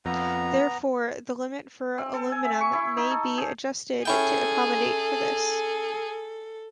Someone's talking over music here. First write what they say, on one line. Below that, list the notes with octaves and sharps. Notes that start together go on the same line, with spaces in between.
Therefore, the limit for aluminium may be adjusted to accommodate for this.
F2 B3 A#5
C4
A4
G#5
E5
C#6
E4
D#4
A4
G#4
C#4 E4 G#4 A4 G5